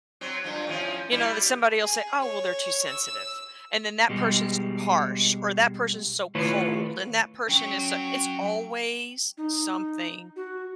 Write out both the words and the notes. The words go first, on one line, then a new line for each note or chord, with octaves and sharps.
you know, that somebody'll say, "Oh, well, they're too sensitive," and then, "That person's too harsh," or, "That person's so cold," and, "That person is s" it's always something
F#3 C4
G2 F3
A2 F3 C#4
G3 E4
G#4
C#5
E6
B2 G3 G#3
D#3 A3 E4 F4 B4 C#5
F#3 C#4 C#5 G5
D#4
F#4